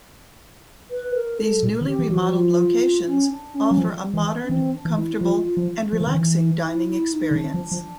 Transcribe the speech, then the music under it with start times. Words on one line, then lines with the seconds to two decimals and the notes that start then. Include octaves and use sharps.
These newly remodeled locations offer a modern, comfortable, and relaxing dining experience.
0.91 B4
1.15 A#4
1.38 A4
1.63 A#2
1.81 D#3
1.86 G4
1.99 E3
2.10 E3 F#4
2.16 F3
2.35 F4
3.07 C#4
3.30 D4
3.55 C#4
3.71 F#3
3.78 F3
4.14 E3
4.44 C#4
4.49 E3 C4
4.74 D4
4.85 E3
4.98 E4
5.20 F3 F4
5.45 F4
5.57 F3
5.93 F3
6.00 E3
6.07 D#3
6.15 E3
6.65 E4
6.88 E4
7.12 D#4
7.31 D3
7.36 D#3 D4
7.54 F3
7.72 F3